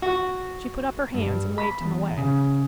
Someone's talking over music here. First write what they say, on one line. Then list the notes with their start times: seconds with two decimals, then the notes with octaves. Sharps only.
She put up her hands, and waved him away.
0.02 F#4
1.14 G2
1.58 B5
1.81 E2
2.17 C#3